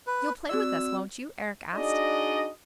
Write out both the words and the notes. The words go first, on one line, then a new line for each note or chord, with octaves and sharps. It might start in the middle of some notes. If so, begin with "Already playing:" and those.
"You'll play with us, won't you?" Eric asked.
B4
C4 F#4 D5 E6
D4 D#4 F#4 G#4 D5 D#5